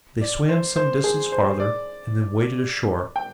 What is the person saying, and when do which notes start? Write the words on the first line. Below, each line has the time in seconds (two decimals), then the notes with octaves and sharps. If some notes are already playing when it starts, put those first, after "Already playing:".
They swam some distance farther, and then waded ashore.
0.21 D5
0.49 C5
0.76 C5
1.04 G#4
1.32 C5
1.60 D5
3.16 G5